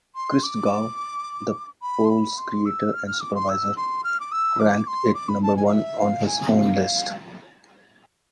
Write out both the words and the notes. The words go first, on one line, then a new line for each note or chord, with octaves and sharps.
Christgau, the poll's creator and supervisor, ranked it number one on his own list.
C6
D6
B5
C6
B5
C6
E6
F6
F6
D6
C6
E6
C6
F6
D6
E6
D6
C6
D6
B5
A5
G#5
F5
E5
F5
G#5
F5